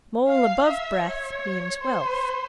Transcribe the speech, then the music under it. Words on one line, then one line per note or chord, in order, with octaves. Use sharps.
Mole above breath Means wealth.
F5
E5
C#5
C5